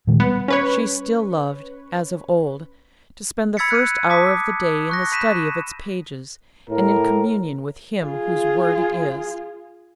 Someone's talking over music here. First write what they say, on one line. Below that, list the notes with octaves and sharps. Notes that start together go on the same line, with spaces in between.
She still loved, as of old, to spend the first hour of the day in the study of its pages, and in communion with Him whose word it is.
A#2 D#3 G#3
G3 B3
C#4 B4 C#5
B5 E6 G#6 A6 B6 C#7
F#6 D#7
A5 D6 D#6 B6
C#6 F#6 A#6
B5 G6 B6 D#7 E7
A2 A#4
F4 G#4